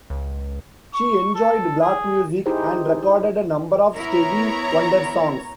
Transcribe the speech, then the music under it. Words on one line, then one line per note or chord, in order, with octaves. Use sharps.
She enjoyed black music and recorded a number of Stevie Wonder songs.
C#2
C#6
A4
G#4
D#4 E4 G4 G#4 C5
B3 E4 A#4 C#5 A#5